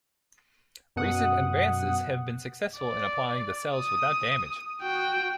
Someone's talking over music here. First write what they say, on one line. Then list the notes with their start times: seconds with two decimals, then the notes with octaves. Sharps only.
Recent advances have been successful in applying the cells without damage.
0.96 F#2 B2 F#5 D#6
2.77 D5
3.74 D#6
4.82 F#4 G5